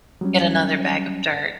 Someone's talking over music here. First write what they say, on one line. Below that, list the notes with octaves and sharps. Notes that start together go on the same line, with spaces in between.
get another bag of dirt.
F#3 G3 C#4